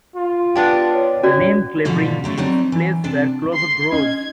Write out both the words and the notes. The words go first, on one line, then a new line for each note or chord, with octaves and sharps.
The name 'Clavering' means 'place where clover grows'.
F4
B3 D4 G4
C#5
C#4 F#4 D5
G#2 B2 D3 F3 G3
D3 F#3 A3
F#3 G3 C4 D4 D#4
E3
C3 D4 A5
C6 C7
C#4 D#4 G#6